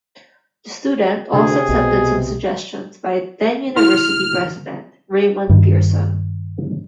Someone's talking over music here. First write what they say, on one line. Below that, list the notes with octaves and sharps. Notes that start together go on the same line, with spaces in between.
"The Student" also accepted some suggestions by then university president Raymond Pearson.
D2 C3 G#4
B1 B2
E4 F6
G2 D#3